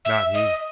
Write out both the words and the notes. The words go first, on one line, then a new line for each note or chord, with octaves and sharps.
Not he.
E5
D#5